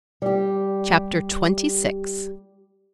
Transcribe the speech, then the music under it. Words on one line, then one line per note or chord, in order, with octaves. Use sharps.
Chapter XXVI.
G3 G4